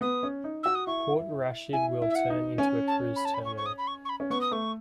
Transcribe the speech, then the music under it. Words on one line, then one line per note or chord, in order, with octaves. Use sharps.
Port Rashid will turn into a cruise terminal.
B3 D#6
C#4
D#4
F#4 E6
D#6
E4 C#6
E4 G#5
E4
E5
F#5
D#4
C#4 G#5
A5
B5
A5
B5
C#6
C#6
D#6
B5
C#6
C#6
B5
C#4
B3 C#6
D#6
A3 C#6